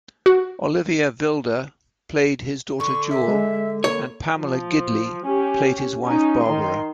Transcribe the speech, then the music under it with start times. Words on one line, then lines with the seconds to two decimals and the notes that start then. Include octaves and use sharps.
Olivia Wilde played his daughter Jewel and Pamela Gidley played his wife Barbara.
0.26 F#4
2.80 D3 C#6
3.10 E5
3.28 G#3
3.84 A#3 C#5 G#6
4.38 F3
5.25 C#4 G4
6.04 C#4 D#4
6.43 D#3 C6